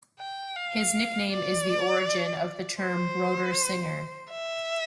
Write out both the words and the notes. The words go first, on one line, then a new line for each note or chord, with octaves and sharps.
His nickname is the origin of the term "Broder singer".
G5
F5
D5
C5
E5